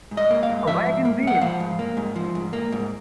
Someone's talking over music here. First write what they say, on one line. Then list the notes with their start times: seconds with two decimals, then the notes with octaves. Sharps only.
A wagon wheel!
0.11 G#2
0.17 D#5
0.31 A#3
0.43 F5
0.49 G#2
0.67 F3 E5
0.86 G#2
1.05 A#3
1.23 G#2 F#5
1.41 F3 F5
1.60 G#2
1.79 A#3
1.97 G#2
2.15 F3
2.35 G#2
2.53 A#3
2.72 G#2